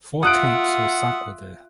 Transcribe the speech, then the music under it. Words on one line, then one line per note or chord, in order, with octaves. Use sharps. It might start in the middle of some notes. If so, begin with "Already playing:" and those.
Four tanks were sunk with her.
F4 E5 F#5 D#6 F#6 D7